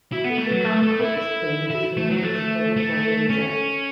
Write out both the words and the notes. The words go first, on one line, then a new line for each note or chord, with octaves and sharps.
Pound Creek Spring has remained as a public Water Reserve.
E4 F#4
B3 A4
A3
F#3 B4
A3 A4
A3
E4
E4
E4 F#4 A4
A3
F#3
A3 A4
A3
C#4